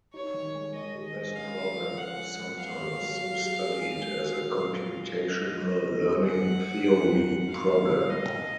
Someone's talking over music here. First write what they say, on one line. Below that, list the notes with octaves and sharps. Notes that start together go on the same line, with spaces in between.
This problem is sometimes studied as a computational learning theory problem.
D#4 C#5
D#3
G#3
D#3 D#5
G#4
G#3
C#4 F5
C#4
F3
C#4 F#5
G#3
G#2
B3 F5
G#4
F#3
F#3
G#4
G#4
G#3
G#3
F#4
A#2
G#3
F#4
F4 D#5
G#3
F4
B3
B3
G#4
G#2 F#5
G#2
F#3
D#4
G#2
D#4
G#2 F5
B3
G#2
G#2 D#5
G#2